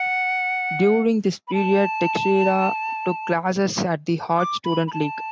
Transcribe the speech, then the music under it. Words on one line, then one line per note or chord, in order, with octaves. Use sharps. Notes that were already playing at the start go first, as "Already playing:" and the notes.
During this period, Texeira took classes at the Art Students League.
Already playing: F#5
B5
A5
D6
B5
B5
A5